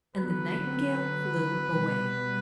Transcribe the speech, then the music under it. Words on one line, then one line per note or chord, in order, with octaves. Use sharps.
And the Nightingale flew away.
D3 F#3 B3 B4
B2 G3 B3